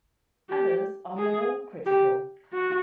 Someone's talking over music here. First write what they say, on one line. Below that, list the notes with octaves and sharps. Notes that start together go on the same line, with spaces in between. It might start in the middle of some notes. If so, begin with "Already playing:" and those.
Others are more critical.
G4
G#4
G4
F#4